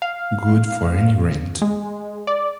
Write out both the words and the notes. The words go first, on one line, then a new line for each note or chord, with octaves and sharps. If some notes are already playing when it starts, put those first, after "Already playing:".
Good for any rent.
F5
G#3
D5